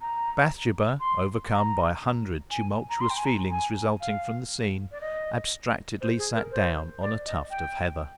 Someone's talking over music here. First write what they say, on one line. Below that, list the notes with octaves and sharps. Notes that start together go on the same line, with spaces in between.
Bathsheba, overcome by a hundred tumultuous feelings resulting from the scene, abstractedly sat down on a tuft of heather.
A#5
C6
A#5
G#5
A#5
C6
G5
G#5
A#5
G#5
F5
D5
D#5
C5
G#4
A#4
C5
D5
D#5
G5